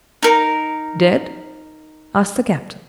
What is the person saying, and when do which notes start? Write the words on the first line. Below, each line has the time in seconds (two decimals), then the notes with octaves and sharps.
"Dead?" asked the captain.
0.23 D#4 A#4